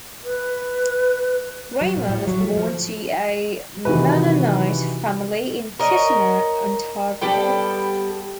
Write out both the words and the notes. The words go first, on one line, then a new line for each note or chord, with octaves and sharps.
Reimer was born to a Mennonite family in Kitchener, Ontario.
B4
F#3
A#2
A2
F#3
A3
F3
C3 D#3 E3 F#4 B4
A#4 C#5 D#5
G3 B3 A4 G5